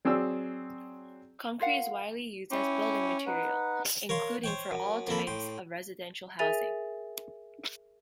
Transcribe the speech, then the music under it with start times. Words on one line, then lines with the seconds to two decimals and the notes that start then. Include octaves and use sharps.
Concrete is widely used as building material, including for all types of residential housing.
0.05 F#3 C4 G#4 D5 E6
1.60 F4 A#4 F5 F#5
2.51 C#4 E4 G5 D6
3.27 D#4 B4 F#5
4.09 A#4 C#5 F5 C6
4.44 C5 C#5 G5
4.71 F#2
5.07 F2 A#3 A4 B5
5.27 A2 G5 C6
6.39 G#4 A#4 E5 G#5 A6 F7